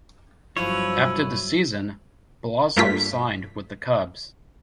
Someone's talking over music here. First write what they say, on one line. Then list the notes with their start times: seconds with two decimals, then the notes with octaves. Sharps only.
After the season, Blauser signed with the Cubs.
0.57 G1 F3 F#3 E4 B4 C#5
2.77 G2 A3 A#3 F4 B6